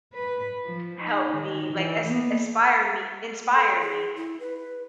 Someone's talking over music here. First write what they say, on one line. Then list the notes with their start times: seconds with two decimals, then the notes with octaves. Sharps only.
help me, like, is ispire me inspire me
0.13 B4
0.65 F3
1.01 D#4
1.32 D#3
1.72 E3
2.07 A#3 B3
3.55 A4
3.81 G#4
4.16 E4
4.40 B4